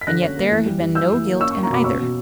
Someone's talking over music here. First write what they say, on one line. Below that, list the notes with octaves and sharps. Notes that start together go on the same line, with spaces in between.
And yet there had been no guilt in either.
B6
D3 F#6 A#6
C#4
A#3
E3
G3
G3
E3 E6 G6
E3
A#3
C#4 C#6 E6
A#3 C#6 E6
A#5 C#6
B2 B5 D6
C#4 C#6 E6
B2